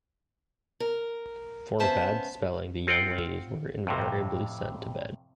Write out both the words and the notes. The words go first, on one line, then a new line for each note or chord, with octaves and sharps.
For bad spelling the young ladies were invariably sent to bed.
A#4
C#3 B3 C#4 C5 E5 A5
C4 F4 F#5 G5
F2 A2 C3